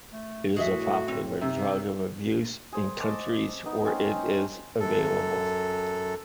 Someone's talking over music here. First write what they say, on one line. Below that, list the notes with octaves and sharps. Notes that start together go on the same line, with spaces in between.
It is a popular drug of abuse in countries where it is available.
A3
A2 F#4 G#4 D#5 E5
C4
C3 D#4
G#4 C5
D#5 A5 C#6 D6
B3 D#4
C4 C#4 G#4
F#2 A4